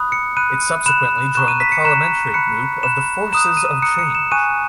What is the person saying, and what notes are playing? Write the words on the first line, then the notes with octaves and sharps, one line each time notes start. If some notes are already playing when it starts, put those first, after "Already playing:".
It subsequently joined the Parliamentary Group of the Forces of Change.
Already playing: B5 D#6 F#6
C#7
B5 F#6 D#7
B5 F#6 E7
A#5 C#6 F#6 E7
D#7
B6
C#7
A#5 C#6 F#6 E7
B5 F#6 C#7
B5 F#6 E7
A#5 D#6 F#6 E7
D#7
A#5 D#6 F#6 C#7
C#7
E7
G#5 C#6 F#6 D#7